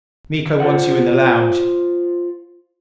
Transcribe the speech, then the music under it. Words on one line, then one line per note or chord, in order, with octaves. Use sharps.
"Miko wants you in the lounge."
F4 C5 F#5